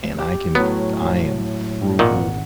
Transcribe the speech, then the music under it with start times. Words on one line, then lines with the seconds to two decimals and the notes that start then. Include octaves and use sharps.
And I can p p I am frugal
0.19 G4
0.55 A2 F#3 B3
1.99 G#1 A#2 D#3 F#5